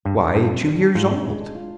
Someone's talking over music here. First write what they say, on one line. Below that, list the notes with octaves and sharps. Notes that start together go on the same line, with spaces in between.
"Why, two years old."
G2 G3
D4
G2 F4
C3
G3
D4
G#2 F4
C3
G#3
D4
F4